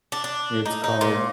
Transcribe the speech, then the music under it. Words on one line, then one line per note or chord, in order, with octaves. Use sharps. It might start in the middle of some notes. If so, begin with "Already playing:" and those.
it's called
D4
D4
D#4
D#4
A#2